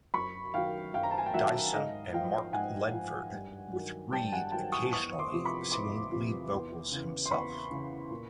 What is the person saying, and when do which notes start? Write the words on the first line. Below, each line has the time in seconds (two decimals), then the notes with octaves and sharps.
Dyson and Mark Ledford, with Reid occasionally singing lead vocals himself.
0.14 F#2 B5 C#6
0.54 D#3 F#3 F5 G5
0.93 F#2 F5 G5
1.03 A#5
1.11 A5
1.18 G#5
1.26 G5
1.33 D#3 F#3 E5 F#5
1.74 G#2 D#5 F5
2.13 F3 F5 G5
2.53 G#2 F#5 G#5
2.93 F3
3.32 G2
3.73 D#3 F#3
4.12 G2 G5 A5
4.32 F#5 G#5
4.52 D#3 F#3 G5 A5
4.72 C#6 D#6
4.92 E2 C#6 D#6
5.19 C6 D6
5.32 C3 F3
5.45 B5 C#6
5.71 E2 C6 D6
6.12 C3 F3
6.52 E2
6.92 C#3 E3
7.26 C6
7.31 E2 B5 C#6
7.71 C#3 E3
8.10 A#2